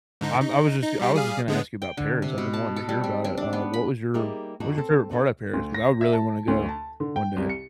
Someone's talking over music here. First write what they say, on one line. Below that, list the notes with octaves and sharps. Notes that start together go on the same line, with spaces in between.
I'm I was just I was just gonna ask you about Paris, I've been wanting to hear about it, uh, what was your what was your favorite part of Paris? 'Cause I really wanna go one day.
G#2 D3 D#4
D#4
D#4
G3 D#4 G4
G3 G#4 F5
D3 G#3 B3
G5
D3
C3
B2
A5
A4
G3
C4
C4
D4
B3
B5
G3 A#3 D#4 G4 G#4 E5
F2 D4 D#4 F#4
C4 A4
B3 D4 F4 A4
D2
A#6
E5
A5
D2
A5
D3
G5
C2
C#7